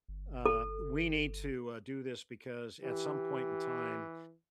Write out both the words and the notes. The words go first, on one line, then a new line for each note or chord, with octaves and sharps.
uh, we need to, uh, do this because at some point in time,
G1
A4
E3 G4